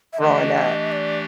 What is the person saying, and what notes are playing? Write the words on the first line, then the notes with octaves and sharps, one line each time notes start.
growing up.
E5
E3 A3 D4 G4 D#5
D5